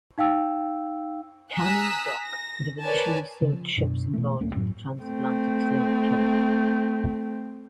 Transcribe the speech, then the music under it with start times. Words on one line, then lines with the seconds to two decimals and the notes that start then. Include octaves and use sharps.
Canning Dock would have initially served ships involved in the trans Atlantic slave trade.
0.18 D#4 F5 G5 E6
1.55 G#5 A#5 D#6 E6 F#6 B6
2.23 A#6
2.82 A#4 B4 C#5 D5 G#5 A5
3.42 C#3
3.53 F3
3.77 F#2 B2 D4
4.14 B2 E3 A3
4.40 D1 A3 A#3 C#4
4.56 F#2 A2 F#3
5.03 A3 C4